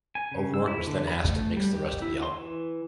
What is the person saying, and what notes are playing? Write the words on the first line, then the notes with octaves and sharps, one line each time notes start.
O'Rourke was then asked to mix the rest of the album.
G#5
C#3
E6
E4
D3
B5
A3
G3
G4
E4
C6
E3